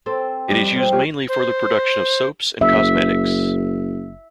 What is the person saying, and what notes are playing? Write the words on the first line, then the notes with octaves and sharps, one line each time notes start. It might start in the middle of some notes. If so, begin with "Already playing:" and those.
It is used mainly for the production of soaps and cosmetics.
C4 A4
F2 G3
F3 C4
F4 G4 C#5
C5
F#1 E5